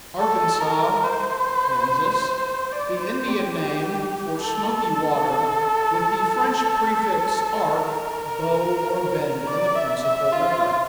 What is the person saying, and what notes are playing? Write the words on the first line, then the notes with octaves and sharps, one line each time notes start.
Arkansas"--Kansas," the Indian name for "smoky water," with the French prefix "arc," bow or bend in the principal river.
A4
A#4
C5
D5
C5
G4
A4
A#4
D5
E5
E5
F4